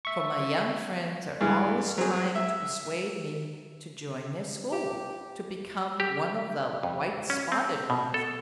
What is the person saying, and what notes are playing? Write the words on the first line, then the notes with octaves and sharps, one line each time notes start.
For my young friends are always trying to persuade me to join their school, to become one of the white-spotted ones.
E5 C#6
G2 E3 G#3
F#3 C4 G#4
E5
G4
G4
F2
C#4
C4
B2
A4